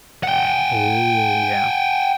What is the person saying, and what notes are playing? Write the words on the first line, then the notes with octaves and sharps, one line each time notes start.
Ooh, yeah.
F#5 G5